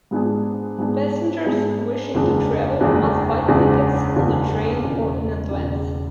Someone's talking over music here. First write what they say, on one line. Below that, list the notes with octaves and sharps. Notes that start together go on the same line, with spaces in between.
Passengers wishing to travel must buy tickets on the train or in advance.
G#2 G#3 B3 D4 G#4
G#2 G#3 B3 D4 G#4
G#2 G#3 B3 D4 G#4
F#1 E2 C#3 G#3 D4
F#1 E2 C#3 G#3 D4
F#1 E2 C#3 G#3 D4
F#1 E2 C#3 G#3 D4
E1 E2 C#3
E1 E2 C#3